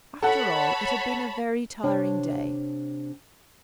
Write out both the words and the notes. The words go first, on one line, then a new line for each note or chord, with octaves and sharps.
After all, it had been a very tiring day.
A4 C#5 F#5 A5 B5
C3 D4 C#5 A5